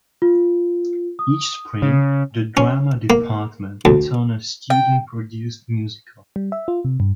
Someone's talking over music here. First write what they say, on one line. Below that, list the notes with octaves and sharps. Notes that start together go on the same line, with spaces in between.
Each spring, the Drama Department puts on a student-produced musical.
F4
D#6
C#3
C#4
A#3
D2
G5
G3
E5
F4
C3
G2